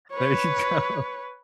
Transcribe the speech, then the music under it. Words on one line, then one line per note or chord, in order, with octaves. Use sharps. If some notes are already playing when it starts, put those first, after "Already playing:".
There you go.
B4 C#5